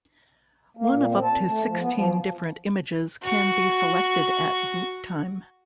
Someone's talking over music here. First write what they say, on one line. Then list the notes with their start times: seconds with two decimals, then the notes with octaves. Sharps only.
One of up to sixteen different images can be selected at boot time.
0.77 A#3
0.90 A#2
1.09 C4
1.24 A5
1.46 A3
1.64 F3
1.79 B3
1.93 F3
3.22 F#4 C#6